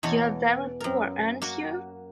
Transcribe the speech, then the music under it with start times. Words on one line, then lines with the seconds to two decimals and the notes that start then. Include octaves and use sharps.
You are very poor, ain't you?
0.03 E2 B2 E3 C#5
0.80 F#2 A#4
1.42 A#3 F#4